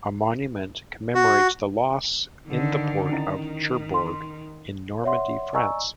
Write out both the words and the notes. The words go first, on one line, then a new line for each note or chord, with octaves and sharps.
A monument commemorates the loss in the port of Cherbourg in Normandy, France.
F#4
D3 D#3
D#3 C#4 E4 D#5
C6
C#5 D5 E5 F#5 C6
D5 D#5 G#5 A#5 C#6 E6